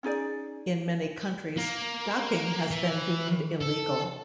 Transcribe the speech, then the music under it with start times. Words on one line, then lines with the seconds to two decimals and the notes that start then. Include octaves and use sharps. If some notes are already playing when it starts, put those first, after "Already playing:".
In many countries, docking has been deemed illegal.
0.03 C#4 D#4 G#4 D5
1.57 A#3
2.71 E3
3.61 A4